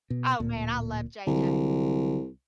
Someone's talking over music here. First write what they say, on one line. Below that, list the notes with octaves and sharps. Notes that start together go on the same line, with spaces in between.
Oh, man, I love JJ.
B2
D1 A#2
C2 D3 F#3